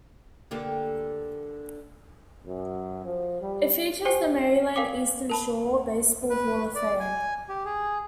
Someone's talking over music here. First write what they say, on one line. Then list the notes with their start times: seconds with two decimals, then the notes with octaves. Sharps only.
It features the Maryland Eastern Shore Baseball Hall of Fame.
0.51 D3 A#3 G4
2.47 F#2
3.05 F3
3.41 G3
4.05 G4 C5 G5 G#5 C7
4.76 A#4 F5 G5 D6
5.30 A#4 A5 B5
6.30 B4
6.75 D5
7.00 G#5
7.49 G4
7.65 G#4